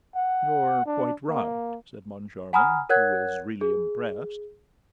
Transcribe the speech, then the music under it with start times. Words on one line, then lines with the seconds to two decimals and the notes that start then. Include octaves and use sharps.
"You're quite right," said Moncharmin, who was really impressed.
0.16 F#5
0.86 D4
1.29 A#3
2.53 F#5 G#5 A#5 B5 D#6 F6
2.89 A#4 C#5 F#5 F#6 G#6
3.61 G#4